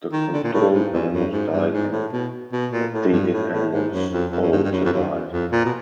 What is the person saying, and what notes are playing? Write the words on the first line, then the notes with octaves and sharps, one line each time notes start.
The control animals died and the treated animals all survived.
D#3
D3
A#2
A2
G#2
E2
F#2
G#2
G2
G#2
A2
B2
B2
A#2
A2
G2
A2
A2
G#2
F#2
F2
F2
F#2
G2
G2
F#2
F2
F#2
E2
F2
A#2
B2